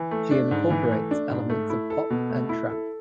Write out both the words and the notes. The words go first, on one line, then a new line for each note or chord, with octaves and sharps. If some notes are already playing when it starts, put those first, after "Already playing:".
She incorporates elements of pop and trap.
Already playing: E3
A3
D4
G#2
E3
A3
D4
G#2
A3
E4
A4
B2
A3
E4
A4